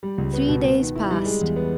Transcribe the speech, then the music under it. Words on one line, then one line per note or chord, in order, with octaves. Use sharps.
Three days passed.
G3
C#2
B3
B2
B3
D#3
E4
G3
G#3
E2
B3